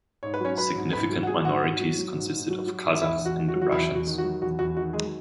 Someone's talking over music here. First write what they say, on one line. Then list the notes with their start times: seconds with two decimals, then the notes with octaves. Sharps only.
Significant minorities consisted of Kazakhs and Russians.
0.23 G#2 C#5
0.34 B4
0.40 F#3 C#4 C#5
0.58 F#3 B4 B5
0.75 G#2
0.93 G#2 B4 B5
1.10 F#3
1.23 F#5
1.27 F#3 G#4 G#5
1.45 G#2 F#4 F#5
1.63 G#2
1.80 F#3
1.98 F#3
2.14 G#2
2.32 G#2
2.50 F#3
2.67 F#3
2.85 G#2
3.02 E2 E4 E5
3.19 E2
3.26 F#4
3.37 D#3
3.48 F#4
3.55 F#3
3.62 F#4
3.72 E2 E4
3.89 E2
3.95 F#4
4.07 D#3
4.18 F#4
4.24 F#3
4.42 E2 F#4
4.59 E2 F#4
4.77 D#3 F#4
4.93 F#3 G#3 G#4